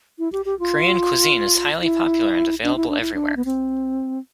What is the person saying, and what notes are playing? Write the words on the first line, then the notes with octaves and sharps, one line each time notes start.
Korean cuisine is highly popular and available everywhere.
E4
G4
G4
F4
E4
D4
E4
D4
E4
D4
B3
C4